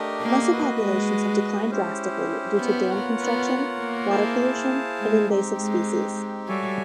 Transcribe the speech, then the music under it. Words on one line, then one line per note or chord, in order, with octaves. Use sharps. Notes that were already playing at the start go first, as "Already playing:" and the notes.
Mussel populations have declined drastically due to dam construction, water pollution, and invasive species.
Already playing: A3 D4 G4 A#4 D#5
A#3
F#4 B4 D#5
G#3
C#4 E4 G4 C5
B3
F4 A#4 C#5 F#5
B3
A#3
E4 G#4 C5 F5 A5
G#3
C4 D#4 G4
G#3
G3 F#4 A4 C#5 E5 G#5